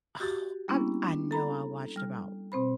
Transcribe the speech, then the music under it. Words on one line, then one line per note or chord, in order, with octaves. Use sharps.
Oh, I I know I watched about
F#4 G4 A6
G3 A#3 B3 C#4 D4 E4
D4
A4 A#5 B5
G3 F6
B2 C4 C5 B5